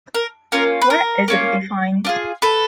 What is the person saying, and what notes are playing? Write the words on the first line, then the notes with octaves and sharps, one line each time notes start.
Where is it defined?
A#4
A#3 C#4 F4 A#4
B4
A#4
A#3 C#4 F4
D4 F4 G#4
A4 B4